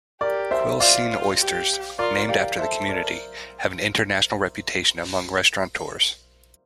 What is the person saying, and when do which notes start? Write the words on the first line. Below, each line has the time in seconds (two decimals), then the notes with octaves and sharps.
Quilcene oysters, named after the community, have an international reputation among restaurateurs.
0.21 G4 A#4 D5
0.51 C5 E5
0.80 F4 D5 F5
1.11 F4
1.40 G4
1.99 F4 A#4 D5
2.29 G4 D5 F5
2.59 A4 C5 E5
2.88 A#4 D5